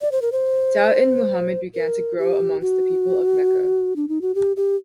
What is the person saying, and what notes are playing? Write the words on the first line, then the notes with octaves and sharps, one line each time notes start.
Doubt in Muhammad began to grow amongst the people of Mecca.
D5
C5
A#4
C5
A#4
G4
F#4
D4
D#4
F#4
G4
G4